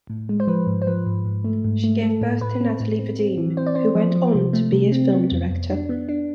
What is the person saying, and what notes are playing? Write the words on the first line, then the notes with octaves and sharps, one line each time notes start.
She gave birth to Nathalie Vadim, who went on to be a film director.
A2
G#3
C5
F3 B4
G#2
C5
F3 B4
G#2
G#2
A3
G#2
A3
A3 A4
A2
A2 B4
C4
A2
C4
C4
E3
C4 C5
D5
C4 C5
F3
F3
C3
A3
C3
C4
B3
F2
F2
D4
B3
D4